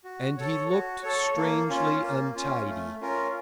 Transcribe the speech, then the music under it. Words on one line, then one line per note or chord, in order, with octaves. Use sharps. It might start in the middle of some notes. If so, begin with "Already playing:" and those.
And he looked strangely untidy.
F#4
A4 C#5
F#4
A4 C#5
A#3
C#4 F4
A#3
C#4 F4
A3
C#4 F4 A#4